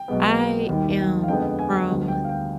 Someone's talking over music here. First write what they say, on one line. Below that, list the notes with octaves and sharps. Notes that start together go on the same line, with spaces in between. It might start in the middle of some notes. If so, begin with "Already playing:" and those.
I am from
Already playing: G5
B1 B2 G#3 B3
D#2 D#3 G3
F5
F2 D3 F3 G#3 B3 G5
G#5
D2 D3 G3 B3
G5
F5
G5